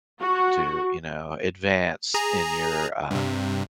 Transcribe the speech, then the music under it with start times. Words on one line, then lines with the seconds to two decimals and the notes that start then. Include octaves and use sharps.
to, you know, advance in your, um,
0.21 F#4
2.14 G#4 A#5
3.11 G2 C3